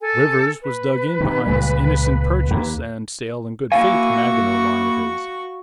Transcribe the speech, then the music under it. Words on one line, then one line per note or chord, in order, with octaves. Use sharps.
Rivers was dug in behind this innocent-purchase-and-sale-in-good-faith Maginot Line of his.
A4 G#5
B4
C3 D#3
C#2 A#2 G3
D#2 A#3
A#3 E4 F#4 F5 G#5 C#6